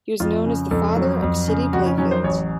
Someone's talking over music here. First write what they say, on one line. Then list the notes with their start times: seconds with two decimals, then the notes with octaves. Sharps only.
He was known as the "Father of City Playfields".
0.20 F2 F4
0.46 C#3
0.71 F2 A4
0.96 F#3
1.22 F2
1.48 C#3
1.73 F2 F#4
1.86 C#4
1.98 F#3 C#4
2.11 C5
2.24 A1 C#5